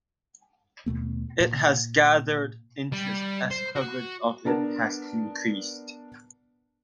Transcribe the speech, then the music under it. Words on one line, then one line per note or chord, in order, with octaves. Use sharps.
It has gathered interest as coverage of it has increased.
D#2 B2 A3 B3
A#2
G3
C5
F#4
B3 D4 A#4 A5